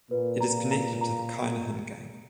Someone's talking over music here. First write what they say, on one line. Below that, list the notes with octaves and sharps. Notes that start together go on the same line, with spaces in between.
It is connected to the Kinahan gang.
A#2 B4
A#5
A#5
A#5